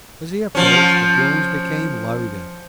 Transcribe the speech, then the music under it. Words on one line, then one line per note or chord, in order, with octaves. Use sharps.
As he approached, the groans became louder.
F3 C#4